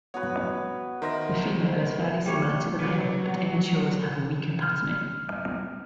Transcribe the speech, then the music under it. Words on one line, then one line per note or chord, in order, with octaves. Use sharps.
The female is fairly similar to the male, but immatures have a weaker patterning.
B3 F#4 B4 C#5
D#3 A#4 C5 E5 A#6
G3 A3 C#5
F#3 B4 D5
F6